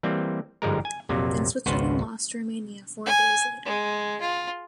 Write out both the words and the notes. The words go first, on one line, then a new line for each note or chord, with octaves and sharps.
Then Switzerland lost to Romania four days later.
E3 G3 A#3 C4
G1 G#2 F3 G3 G#3 A#4
G#5
A#1 F2 C3 F#3 A#3
G#1 C#2 B3 F#4 B4 C5
G#5
G#3
F4